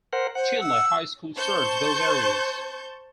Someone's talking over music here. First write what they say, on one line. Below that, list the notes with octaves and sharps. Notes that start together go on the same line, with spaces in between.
Chinle High School serves those areas.
A#4 C5 F#5
C5 F#5
E6
C5 A5 C#6 G6